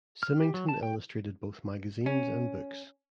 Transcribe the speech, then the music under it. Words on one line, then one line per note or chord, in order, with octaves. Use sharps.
Symington illustrated both magazines and books.
F6
G4
F#3
A5
G5
C#4